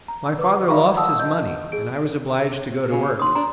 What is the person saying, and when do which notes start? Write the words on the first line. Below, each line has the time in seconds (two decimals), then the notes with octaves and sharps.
My father lost his money and I was obliged to go to work.
0.08 A#5
0.38 B4 D6
0.68 D5 E5 F5 A#5 B5 C#6
0.97 F5 F#5 A5 D#6 E6
1.19 D#5 G6
1.72 G#4 D7
2.91 C#3
3.19 D#2 C6 D#6
3.35 D4 A#5